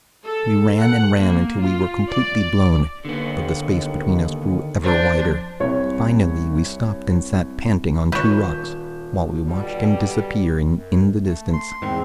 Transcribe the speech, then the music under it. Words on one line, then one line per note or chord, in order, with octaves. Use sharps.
We ran and ran until we were completely blown, but the space between us grew ever wider. Finally we stopped and sat panting on two rocks, while we watched him disappearing in the distance.
A4
F#5
A#3
F4
D5
D#2 D3 B3
F2 D4 C5
C2 C#5
D#1 B4 C#5 G6 E7
B2 D3 G3
F#2
A3
C6
E2 G#2 D#3 C4